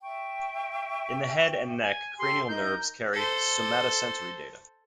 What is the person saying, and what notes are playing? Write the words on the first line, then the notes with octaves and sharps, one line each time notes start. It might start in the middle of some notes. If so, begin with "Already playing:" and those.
In the head and neck, cranial nerves carry somatosensory data.
E5 G5 C#6
G#5
G4 A4 C6
D#4 A#4 G6
A4 C5